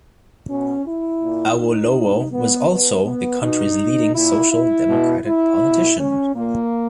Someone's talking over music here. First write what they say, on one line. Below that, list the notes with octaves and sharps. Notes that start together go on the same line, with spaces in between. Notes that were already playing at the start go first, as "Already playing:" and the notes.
Awolowo was also the country's leading social democratic politician.
B2 C#4
E4
A#2
D#4
B2
B3
B2 B3
B3
B2 D#4
A#2 E4
E4
B2
E4
B2
C#4
A#2 A#3